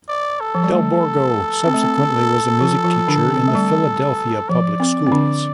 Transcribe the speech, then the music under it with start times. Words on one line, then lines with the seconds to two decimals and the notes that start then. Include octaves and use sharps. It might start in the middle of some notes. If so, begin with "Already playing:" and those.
Del Borgo subsequently was a music teacher in the Philadelphia public schools.
0.09 D5
0.41 A4
0.55 F3
0.63 G3
0.72 A3 A4
1.66 C4
1.74 A3
1.82 C4
2.61 F3 F4
2.84 F3 F4
3.08 D3 D4
3.31 C4
3.48 A3
3.55 G3
4.49 F3 D5
4.80 C4
5.06 C4
5.12 D3 D4